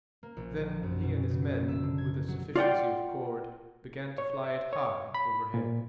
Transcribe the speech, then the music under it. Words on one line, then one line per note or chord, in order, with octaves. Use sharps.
Then he and his men, with a sufficiency of cord, began to fly it high overhead.
A#3
A#1
F3
F#2
B2
C#3
A#1
E5
D3
G#6
F#3
F4 D5 F#5 G5
C#5
E5
C#5
B5
A#2